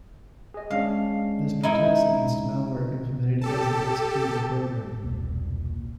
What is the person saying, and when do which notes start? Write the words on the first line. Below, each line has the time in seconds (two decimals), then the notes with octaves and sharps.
This protects against malware implemented as an executable program.
0.54 G#4 D#5
0.70 G#3 C#4 D4 F5
1.63 D#4 E4
3.41 G4 A4 A5
5.02 E1 C2 A#2